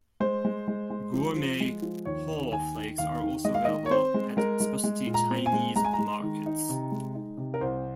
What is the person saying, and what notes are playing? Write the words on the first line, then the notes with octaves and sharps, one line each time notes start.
Gourmet haw flakes are also available at specialty Chinese markets.
G#3 C5
G#3
G#3
G#3
F3
F3
G#3
F3
D#2 C#5
D#2
D#2 G#5
D#3
D#2 F5
D#3
G#3 D#5
F5
D#3 D#5
C#5
C4 C5
G#3
G#3 A#4
G#3
G#3
A#2
A#5
C4
G#5
G#3
G#3 A#5
G#5
A#5
G#3
D#3
D#4
C3
G#3
D#4
C3
A#4
C2 C5